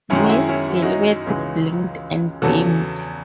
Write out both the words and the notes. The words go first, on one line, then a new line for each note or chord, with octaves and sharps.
Mrs. Gilbert blinked and beamed.
F#2 D#3 G#3 C#4 E4
F#4
E4 G#4
C#4 E4
F#4
E4
D#4 F#4
C#2 C#3 E3 G#3
E2 C#3 E3 F#4 A4